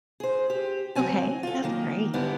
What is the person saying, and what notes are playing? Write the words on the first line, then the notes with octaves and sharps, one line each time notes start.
Okay, that's great.
G#4 C5
G4
D2 F#3 C4 C#5 G#5 A5
F4 A4
F#2 D#3 A#3
G#2 D3 G3 B3 E4